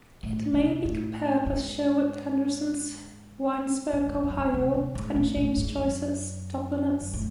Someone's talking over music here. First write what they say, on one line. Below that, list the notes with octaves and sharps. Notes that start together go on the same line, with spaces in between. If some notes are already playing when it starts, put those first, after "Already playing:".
It may be compared with Sherwood Anderson's "Winesburg, Ohio" and James Joyce's "Dubliners".
A2
C3
A2
G#2
G#2
F#2
F#2
C#3
C3
C3
G#2
A2
A2
G#2
F#2
F#2
A2